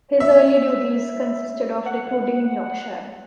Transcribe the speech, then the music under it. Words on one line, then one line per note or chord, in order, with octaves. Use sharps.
His early duties consisted of recruiting in Yorkshire.
E5
F#5